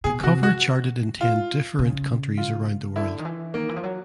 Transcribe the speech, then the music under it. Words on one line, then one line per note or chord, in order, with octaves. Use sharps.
The cover charted in ten different countries around the world.
B2 G#4
C3 F#4
F#4
F4
C#3
F4
D3 E4
D#3
E3
D#3 A#3
E3
F3
F#3